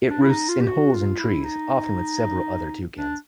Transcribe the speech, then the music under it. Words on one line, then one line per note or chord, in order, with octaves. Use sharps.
It roosts in holes in trees, often with several other toucans.
D4
E4
D#4
F4
G4
F#4
F4
E4
D#4
D4